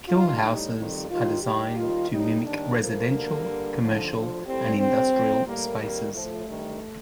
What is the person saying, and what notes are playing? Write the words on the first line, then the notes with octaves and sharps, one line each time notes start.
Kill houses are designed to mimic residential, commercial and industrial spaces.
D#2 D#3 G3 F4
A2 G3 D#4
F2 D#3 G3
D#2 D#3 G3 F4
D#2 D#3 G3 G4
D#2 D#3 G3 F4
A2 G3 D#4
D#2 D#3 G3 D4
A2 F3 A#3
D2 D3 G3
G2 D3 G3
D#2 D3 F3
D2 D3 F3
A2 G3 C4
F2 D3 G3 C4
A2 F3
A2 G3 A#3
F2 D#3 G3 A#3
A2 F3 A3
G2 D#3 G3